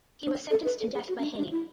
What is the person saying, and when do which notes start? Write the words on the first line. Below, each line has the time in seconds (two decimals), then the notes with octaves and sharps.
He was sentenced to death by hanging.
0.22 D4
0.50 A4
0.65 B4
0.80 A4
0.94 G#4
1.08 F#4
1.19 C#4
1.23 D4
1.37 D4
1.52 E4